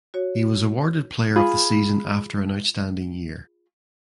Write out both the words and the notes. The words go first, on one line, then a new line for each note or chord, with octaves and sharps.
He was awarded player of the season after an outstanding year.
F#4 C#5
F4 G#4 B5